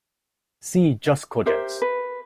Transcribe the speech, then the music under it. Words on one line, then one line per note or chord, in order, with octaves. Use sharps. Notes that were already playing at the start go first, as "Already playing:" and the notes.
See jus cogens.
G4 A#4 C5 E5
B4